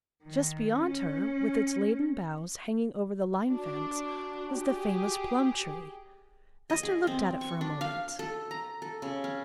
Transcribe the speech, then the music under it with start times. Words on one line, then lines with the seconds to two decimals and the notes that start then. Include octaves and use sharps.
Just beyond her, with its laden boughs hanging over the line fence, was the famous plum tree. Esther looked at it for a moment.
0.23 D#3
0.80 C#4
3.49 D4 F#4
4.56 G4 G#4
6.70 D#5
6.83 G#4
7.07 C4
7.41 C#6
7.61 D4
7.81 F5
8.19 A4
8.51 A#5
8.82 A4
9.02 C#3
9.24 C#4